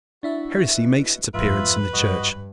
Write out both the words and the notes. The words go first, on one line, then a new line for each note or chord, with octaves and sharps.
Heresy makes its appearance in the Church.
D4 E4 F#4 E5
B2
F2 G#2 F4 B4 E5
G2 F#4 D#5